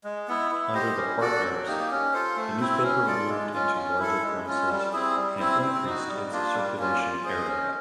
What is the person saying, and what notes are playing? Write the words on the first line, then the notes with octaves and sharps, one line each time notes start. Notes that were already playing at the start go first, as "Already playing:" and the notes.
Under the partners the newspaper moved into larger premises and increased its circulation area.
G#3
B3 E4
E4
G4 C5 D#5
C#4
F#4 A4 D5
F#3
A#3 D#4 G4
C#4
F4 A4 C5
A3
C4 E4
C#4
F4 A4 D5
G#3
C#4 F4
C#4
E4 A4
G#3
C#4 F4
G3
C4 E4 G#4
G3
C4 E4
C4
D#4 F#4
G3
A#3 D4 F4
G3
A#3 C#4 F4
F4
G#4 C5 D#5
C#4